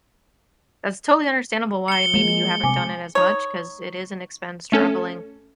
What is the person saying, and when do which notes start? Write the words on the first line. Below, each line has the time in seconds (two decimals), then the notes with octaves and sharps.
that's totally understandable why maybe you haven't done it as much 'cause it is an expense traveling.
1.88 C#7 G7
2.14 F3 G#3 A#3
2.63 C3 C4 G#5 D6
3.15 D#4 C#5
4.72 A3 C#4 A4